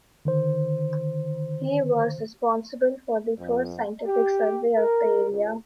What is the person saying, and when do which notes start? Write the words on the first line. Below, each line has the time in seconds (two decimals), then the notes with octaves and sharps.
He was responsible for the first scientific survey of the area.
0.25 D3 D#3 C5
3.38 F2
4.05 G4
4.76 A#4
5.29 C#2